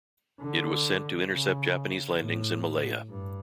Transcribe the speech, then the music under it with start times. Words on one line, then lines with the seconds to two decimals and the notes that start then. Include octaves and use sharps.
It was sent to intercept Japanese landings in Malaya.
0.40 D3
1.30 C#3
2.20 A2
3.10 G2